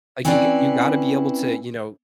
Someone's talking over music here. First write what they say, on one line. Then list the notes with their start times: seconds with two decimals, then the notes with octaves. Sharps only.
like, you g you gotta be able to, you know,
0.25 C4 C#4 E4 B4 C5 D5